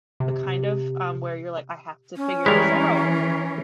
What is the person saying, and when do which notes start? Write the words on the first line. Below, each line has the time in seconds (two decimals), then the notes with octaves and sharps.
but kind of, um, where you're like, "I have to figure this out,
0.20 C3
2.17 C#4
2.46 E3 G3 G#3 E4 A#4